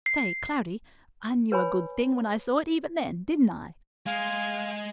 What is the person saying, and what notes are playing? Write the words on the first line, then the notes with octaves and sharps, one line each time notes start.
"Say, Cloudy, I knew a good thing when I saw it even then, didn't I?"
C7
B4 C#5 G#5 B5
G#3 F5 G#5